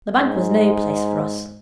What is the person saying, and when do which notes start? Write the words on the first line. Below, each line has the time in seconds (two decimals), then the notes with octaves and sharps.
The bank was no place for us.
0.18 G#2